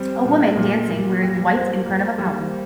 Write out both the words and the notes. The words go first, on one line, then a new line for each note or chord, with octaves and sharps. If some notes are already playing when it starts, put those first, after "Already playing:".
A woman dancing wearing white in front of a fountain.
Already playing: G3 C4
A#2
A#2
A#2
G3
C5
A#3
G3